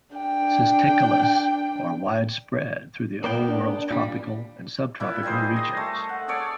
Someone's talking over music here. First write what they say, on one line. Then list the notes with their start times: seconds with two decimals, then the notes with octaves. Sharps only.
Cisticolas are widespread through the Old World's tropical and sub-tropical regions.
0.16 D4 G5
3.24 A#3 B3 G5
3.48 D4
3.91 A#2 G3
5.00 A#2 E4 B4
5.23 G3 D#4 G#4 C5
5.56 D#5
5.77 A3
6.09 F#5
6.28 G#4 A4 C#5 D5